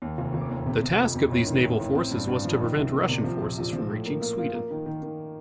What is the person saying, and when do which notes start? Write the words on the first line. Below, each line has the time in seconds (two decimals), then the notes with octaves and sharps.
The task of these naval forces was to prevent Russian forces from reaching Sweden.
0.02 D#2
0.18 F1
0.34 F1
0.51 D#2
0.66 C3
0.83 C3
0.98 F2
1.15 F2
1.32 A1
1.47 D#3
1.64 A1
1.79 A1
1.95 C4
2.11 G2
2.28 G2
2.45 F3
2.60 D#3
2.76 C2
2.93 A#3
3.09 C3
3.24 F3
3.42 A#1
3.58 A#1
3.73 F3
3.90 A2
4.06 A#3
4.22 A#3
4.38 F4
4.54 A#3
4.71 D#3
4.86 D#3
5.03 D#3